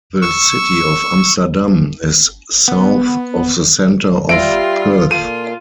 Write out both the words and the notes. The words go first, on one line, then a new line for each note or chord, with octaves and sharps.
The city of Amsterdam is south of the center of Perth.
C#6 E6
B3
G3 F4 E5 A#6 D7
A#2 F4 A4 D#7